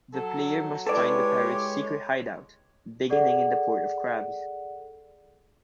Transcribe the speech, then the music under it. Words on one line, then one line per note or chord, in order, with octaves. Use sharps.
The player must find the pirates' secret hideout, beginning in the Port of Crabs.
F#3 A4
G#3 E4 G4 A4 B4 C#5 D5
G#4 A4 D5 F#5